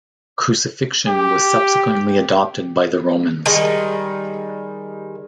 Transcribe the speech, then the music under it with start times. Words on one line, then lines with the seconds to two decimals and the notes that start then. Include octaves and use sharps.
Crucifixion was subsequently adopted by the Romans.
1.07 G4
3.46 D#3 G3 G#3